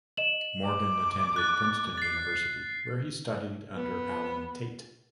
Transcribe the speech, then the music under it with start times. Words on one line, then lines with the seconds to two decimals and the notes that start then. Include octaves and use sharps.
Morgan attended Princeton University, where he studied under Allen Tate.
0.17 D#5 E7 F#7
0.64 D6
1.36 F#6 A6
1.98 A6 C7
3.75 B3